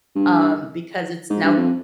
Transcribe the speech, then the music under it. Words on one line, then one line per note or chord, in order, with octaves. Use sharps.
um, because it's now
G2
G#2
G2
F2